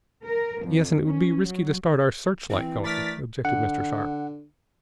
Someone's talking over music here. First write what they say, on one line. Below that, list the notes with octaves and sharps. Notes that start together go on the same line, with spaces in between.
"Yes, and it would be risky to start our searchlight going," objected Mr. Sharp.
A#4
F2
C#4
F#3
E3 C4
A3 D4 A#4 D5 A6 B6
D3 F#5